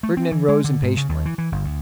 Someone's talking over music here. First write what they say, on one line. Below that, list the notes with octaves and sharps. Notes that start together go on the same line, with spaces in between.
Fernand rose impatiently.
A3
C4
E3
G#3
D3
G#2
C#3
D#2
E3
E3
G1
D2